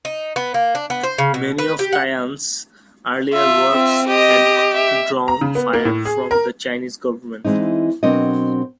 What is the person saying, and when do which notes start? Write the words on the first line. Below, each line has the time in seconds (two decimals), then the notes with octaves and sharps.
Many of Tian's earlier works had drawn fire from the Chinese government.
0.05 D#4
0.36 B3
0.54 A#3
0.75 D4
0.90 B3
1.03 C5
1.18 C#3
1.34 B2
1.58 B4
1.79 G4
1.93 F#5
3.33 F4 E5
3.71 C4 F4
4.07 G4 D#5
4.73 E5
5.28 A#5
5.41 C#3
5.55 B3
5.73 A#3
5.85 A2
6.05 G#4
6.31 A#4
7.45 E3 G#3 C4 D#4
8.03 B2 F#3 C4 D4 A#4 D#5